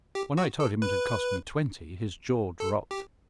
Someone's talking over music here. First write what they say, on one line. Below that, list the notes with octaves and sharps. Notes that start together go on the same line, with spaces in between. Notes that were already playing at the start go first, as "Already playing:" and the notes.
When I told him it had cost me twenty, his jaw dropped.
G4
F#4
A4
B4
A4
G4